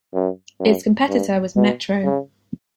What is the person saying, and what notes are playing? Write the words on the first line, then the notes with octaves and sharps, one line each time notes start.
Its competitor was "Metro".
F#2
F#2
G2
B2
C#3